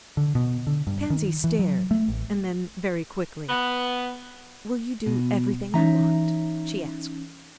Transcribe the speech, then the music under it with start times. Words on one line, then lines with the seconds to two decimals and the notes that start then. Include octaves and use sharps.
Pansy stared, and then very quickly, "Will you do everything I want?" she asked.
0.17 D3
0.35 B2
0.67 D3
0.87 G2
1.10 D#3
1.44 E3
1.59 F#3
1.91 A3
2.08 A1
3.49 B3
5.06 B2
5.74 E3 C#4 D#4 E5 A#5